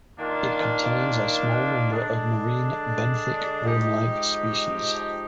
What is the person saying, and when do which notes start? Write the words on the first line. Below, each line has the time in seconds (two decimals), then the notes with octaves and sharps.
It contains a small number of marine benthic worm-like species.
0.18 D#3 A#3 D4 F4
1.91 D3 G#3 D4
3.65 F3 G#3 D#4 G4